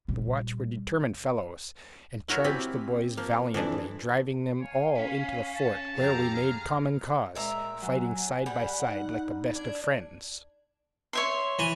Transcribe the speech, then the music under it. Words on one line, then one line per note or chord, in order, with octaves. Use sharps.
The watch were determined fellows, and charged the boys valiantly, driving them all into the fort, where we made common cause, fighting side by side like the best of friends.
A#2 G3
E4 F#4 A#4 C#5
C4 E4 G4 G#5 B5
F3 A#3
F2 E3 D4 A5
C#5 F5 G#5
C#4 B5
A5
F2 G4 A4 F5 A#5
G#4 F6
A#2 G#3 E5 A#5
F#3 G#5
G3 F#5
D#4
D4 G#6
C#5 E5 C6
E3 G#5